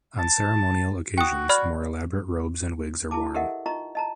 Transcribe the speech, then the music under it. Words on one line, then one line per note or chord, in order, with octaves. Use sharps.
On ceremonial occasions more elaborate robes and wigs are worn.
A5
F#4 G5 D#6
D5 B5 F6
E4 G#4 A5 D6
G4 A4 A#4 D#5 E5 F#5
D#4 F4 D#5 A#5 C#6
D#5 A5 A#5